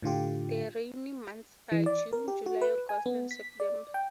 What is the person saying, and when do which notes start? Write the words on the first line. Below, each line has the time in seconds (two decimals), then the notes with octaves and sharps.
The rainy months are June, July, August and September.
0.02 A2 D3 F4 G4
1.72 E3
1.86 D5
2.13 A#4
2.28 G4
2.46 F#4
2.61 B4
2.89 G#5
3.06 B3
3.31 B6
3.60 D5
3.94 G5